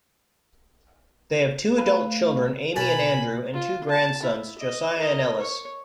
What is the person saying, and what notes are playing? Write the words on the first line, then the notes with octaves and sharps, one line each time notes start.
They have two adult children, Amy and Andrew, and two grandsons, Josiah and Ellis.
A3 B4 F5
B2 C#4 A#4 B4 G#5 A5 B5
F4
A5
E4
D#5
A#4 D#5
C#5